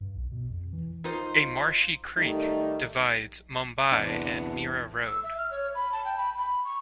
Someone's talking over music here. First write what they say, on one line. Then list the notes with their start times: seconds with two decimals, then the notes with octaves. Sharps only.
A marshy creek divides Mumbai and Mira Road.
0.01 G2
0.16 B1
0.32 B2
0.50 F2
0.73 E3
1.04 D#4 F4 C5
2.16 D#3 G3 A3 D#4
3.92 E2 C3 B3 D4
5.06 E6
5.23 E5
5.38 F6
5.51 C#5
5.75 B5
5.92 A5
6.05 G5
6.17 B5
6.37 B5
6.65 C#6